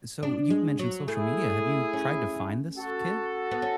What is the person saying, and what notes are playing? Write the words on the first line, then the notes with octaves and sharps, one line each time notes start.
So, you've mentioned social media, have you tried to find this kid?
D4
G#3
F#3
A3 E4 G#4
C#4
F#4 A4
B3
C#4